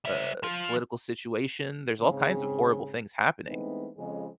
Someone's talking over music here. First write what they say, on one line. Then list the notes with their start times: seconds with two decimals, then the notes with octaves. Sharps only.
uh, political situation, there's all kinds of horrible things happening.
0.05 G3 E5
0.43 F3 F4
1.99 G#2 C#3 C4
3.47 E3 G#3 A3 B3 C4 D#4
3.97 F2 C#3 G#3